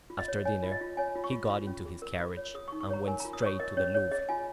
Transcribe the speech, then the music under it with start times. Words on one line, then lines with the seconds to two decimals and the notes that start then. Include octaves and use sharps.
After dinner, he got into his carriage, and went straight to the Louvre.
0.10 F4
0.19 D#5
0.28 C#5
0.45 C#5 G#5
0.63 F4
0.72 D#5
0.81 F4
0.97 C#5 G#5
1.16 F4
1.24 C#6
1.32 F4
1.50 F4
1.67 C#4
1.85 G#4
2.02 A#4
2.20 F4
2.37 C#5
2.54 G#4 D#6
2.68 C#6
2.72 D#4
2.81 C#6
2.90 C#5 A#5
3.07 A#4 G#5
3.20 A#5
3.25 F4
3.33 D#6
3.42 C#5 C#6
3.60 A#4 D#5
3.77 C#4 C#5
3.95 C#5
4.11 G#4 D#5
4.29 F4 G#5